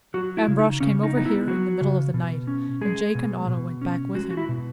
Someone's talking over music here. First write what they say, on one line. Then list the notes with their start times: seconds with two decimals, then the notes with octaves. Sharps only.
Ambrosch came over here in the middle of the night, and Jake and Otto went back with him.
0.14 F#3 F#4
0.37 E4
0.48 C#3
0.59 D#4
0.80 C#3 C#4
1.03 D#4
1.15 B3 D#4
1.26 E4
1.47 F#3 F#4
1.81 C#3
2.14 B2
2.47 C#4
2.81 G#3 G#4
3.15 B2
3.48 B2
3.82 C#4
4.14 G#3 F#4
4.31 F#4
4.37 E4
4.49 B2